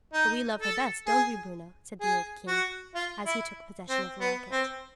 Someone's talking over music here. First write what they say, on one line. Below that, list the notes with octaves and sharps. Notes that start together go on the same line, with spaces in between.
"But we love her best, don't we, Bruno?" said the old King, as he took possession of the Locket.
D#4
A4
G#4
G#4
F#4
F4
E4
C4
B3
C4